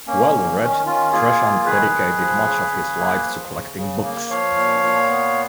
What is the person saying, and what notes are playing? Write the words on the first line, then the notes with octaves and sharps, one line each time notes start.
Well-read, Tresham dedicated much of his life to collecting books.
A#3 C#4
A#3
D#3 C#4
D#3 C#4 F4
A#3 F4 G#4
A#3
D#3 G#4 B4
D#3
F3
C#3
C#3
A#3
F3
C#3
C#3
A#3
F3 C#5 F5
A#2
A#2
B3